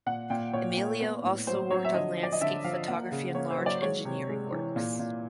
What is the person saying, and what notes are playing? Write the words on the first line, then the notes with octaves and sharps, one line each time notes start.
Emilio also worked on landscape photography and large engineering works.
A#2 F#5
A#2 G5
A#2 C#5
A#3
B3
A2
F#3 C5
F#3 C#5
E5
D3 D#5
F3
D5
D#5
D3 E5
F3 F5
A#3 F#5
C#3
A#3 C#5
C5
F#3
D5
G#3 C#5
C3
G#3
E3
A#2
A#2